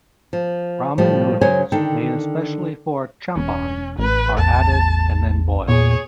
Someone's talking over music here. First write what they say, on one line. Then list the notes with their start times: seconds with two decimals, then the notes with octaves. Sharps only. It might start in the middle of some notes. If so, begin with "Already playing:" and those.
Ramen noodles made especially for "champon" are added and then boiled.
0.33 F3
0.98 A2 F3 G3
1.41 C#3 F#3 A#4 C5 C#5 G#5
1.72 D3 D#3 A4 G5
3.36 E1 C#4
3.99 A1 B4
4.38 E2 A5
5.68 E2 A#2 G#4 C#5